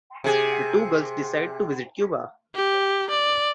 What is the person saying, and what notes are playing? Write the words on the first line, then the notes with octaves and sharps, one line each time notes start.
The two girls decide to visit Cuba.
C3 G#4
G4
D5